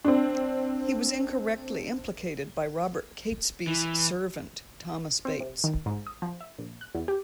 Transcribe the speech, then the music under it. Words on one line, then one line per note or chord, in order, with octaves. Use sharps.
He was incorrectly implicated by Robert Catesby's servant Thomas Bates.
C4 D4
E3
C4
C3
D#3
G#2
D#6
F3
E5
A#1
F#6
E2
G4